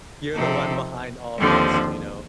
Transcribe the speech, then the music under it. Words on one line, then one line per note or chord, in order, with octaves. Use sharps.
You're the one behind all of those d you know,
C3 F3 C4 D#4 A4
D#2 D3 F3 C4